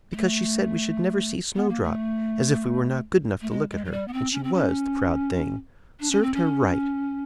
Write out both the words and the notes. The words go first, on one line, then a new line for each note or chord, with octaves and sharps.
"Because she said we should never see Snowdrop; as if we were not good enough to look at her, and she was, the proud thing!--served her right!"
G#3
A3
B3
A#3
A3
A3
G#3
G#3
F#3
G3
B3
C4
C#4
C4
C#4
D4
C#4
C4
C#4